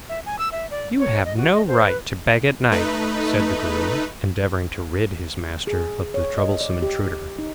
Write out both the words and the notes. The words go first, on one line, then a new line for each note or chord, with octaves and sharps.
"You have no right to beg at night," said the groom, endeavoring to rid his master of the troublesome intruder.
E5
G#5
E6
E5
D5
C#5
D#5
F#4
D#5
C5
B4
A3 D#4 B4
G#4
C#5
D#5
D5
G4
D#4